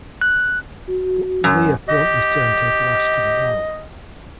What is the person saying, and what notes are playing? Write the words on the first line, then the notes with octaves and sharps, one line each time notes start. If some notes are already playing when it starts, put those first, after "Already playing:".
Liah promptly turned her glass to the wall.
F#6
F#4
F#2
G4 D#5